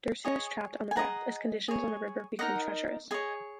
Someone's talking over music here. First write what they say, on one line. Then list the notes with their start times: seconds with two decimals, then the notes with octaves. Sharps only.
Dersu is trapped on the raft as conditions on the river become treacherous.
0.24 G#4 C#5 D#5 G#5
0.91 G#5
0.96 G#4 D#5 F#5 A#5
1.68 G#4 C#5
2.39 D#4 A#4 D#5 F#5
3.11 G#4 C#5 D#5 G#5